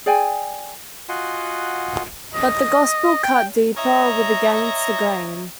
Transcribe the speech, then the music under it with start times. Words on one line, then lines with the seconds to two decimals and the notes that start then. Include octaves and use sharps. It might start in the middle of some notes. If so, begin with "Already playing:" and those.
But the gospel cut deeper with "Against the Grain".
0.06 G#4 D5 G5 G#5
1.09 F4 F#4 D#5 F#5 G#5 C6
2.35 D#5
3.24 G5
3.77 C#5 D#5 E5 A#5